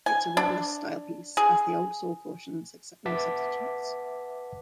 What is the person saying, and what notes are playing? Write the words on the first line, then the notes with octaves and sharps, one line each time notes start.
It's a rudderless style piece; as the old saw cautions, accept no substitutes.
G#5
D4
G#4
B4 E5 F#5 A5 D6 B6